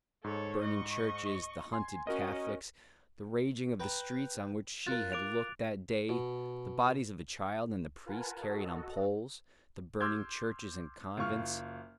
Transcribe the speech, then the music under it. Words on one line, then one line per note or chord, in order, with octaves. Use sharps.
The burning churches, the hunted Catholics, the raging of the streets on which she had looked that day, the bodies of the child and the priest carried on poles, the burning churches and convents. ...
G#2 A4 C#5
D#5 C#6
G#5 C6
C#4 F#4 A#4 D#5
B4 G5 A#5
F4 A#4 F#6 A6
D6 D7 F7
B2
F4 A#4 B4 F#5 G#5 A5
F#4 A4 D#5
C6 D6 E6 F6 G6 G#6
F#1 F4 C#6 F6